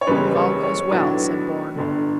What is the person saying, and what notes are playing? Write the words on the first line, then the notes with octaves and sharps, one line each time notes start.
"If all goes well," said Bourne.
C#5
F#1 E2 C#3 G3 B4
C#5
C#5
B1 A2 F#3 B3 D4
G1 G2 D3